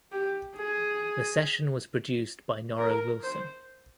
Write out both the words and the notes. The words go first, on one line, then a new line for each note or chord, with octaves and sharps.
The session was produced by Norro Wilson.
G4
G#4
A#4
C5